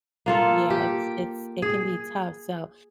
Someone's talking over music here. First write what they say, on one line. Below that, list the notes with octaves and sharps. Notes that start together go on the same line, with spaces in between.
Yeah, it's it's it can be tough, so
A#3 F4 A4
G4
G#4